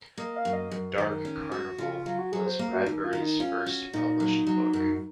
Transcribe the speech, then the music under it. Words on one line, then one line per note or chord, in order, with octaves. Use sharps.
"Dark Carnival" was Bradbury's first published book.
A#3 D#5
F5
F#2
D#5
F#2
D#3
C#4
F#4
C#3 F4
F4
F#3 F4
F#4
F#3 G#4
C5
A#3
F#4
D#2 D#4
F4
D#3
D#4
C#4 F4
F#4
A#2 D#4
F#3
F#3
F#2